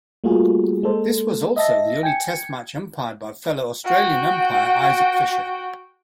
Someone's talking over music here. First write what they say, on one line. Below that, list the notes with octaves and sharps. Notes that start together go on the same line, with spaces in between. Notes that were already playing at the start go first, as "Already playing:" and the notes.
This was also the only Test match umpired by fellow Australian umpire Isaac Fisher.
G3 A3 A#3 F4 F#4 G#4
G#3 A#3 A4 C5
D#5 E5 A5 A#6
G5 G#5 G#6 C#7
F#4 G5